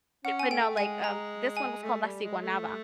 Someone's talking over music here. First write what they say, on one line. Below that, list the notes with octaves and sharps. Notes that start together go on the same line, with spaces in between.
but not, like, um this one was called La Siguanaba.
C#4 F#5
G#5
A3 G5
G#3 G#5
A#5
G#5
A3
G3
G#3
A3